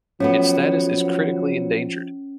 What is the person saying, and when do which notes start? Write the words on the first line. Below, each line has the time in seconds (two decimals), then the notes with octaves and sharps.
Its status is critically endangered.
0.20 F3 F#3 A3 B3 C#4